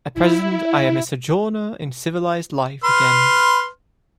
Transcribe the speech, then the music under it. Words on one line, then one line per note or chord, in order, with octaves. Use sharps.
At present I am a sojourner in civilized life again.
E4
B4 C6 F6